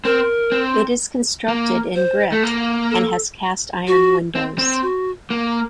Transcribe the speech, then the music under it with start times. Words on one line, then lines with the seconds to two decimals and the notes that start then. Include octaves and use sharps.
It is constructed in brick and has cast iron windows.
0.05 C4 A#4
0.52 C4
1.48 A#3
1.95 C5
2.32 A3
2.43 A#3
2.91 A4
3.87 F#4
4.35 C4
4.58 C4
4.82 F#4
5.30 A#3